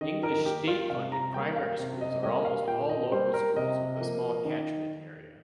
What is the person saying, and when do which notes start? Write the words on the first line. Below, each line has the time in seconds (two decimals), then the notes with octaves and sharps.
English state-funded primary schools are almost all local schools with a small catchment area.
0.01 D#3 D#5
0.23 A#4
0.45 A#3 G4
0.68 F4
0.90 C3 F5
1.12 A#5
1.34 G3 A#3 G5
1.56 F5
1.79 C3
2.01 D#5
2.23 G3 A#3 D#5
2.45 F5
2.67 A#2 G5
2.89 D#5
3.12 G3 A#3 C5
3.34 A#4
3.56 C3 D#5
4.01 F3 A#3
4.45 D#3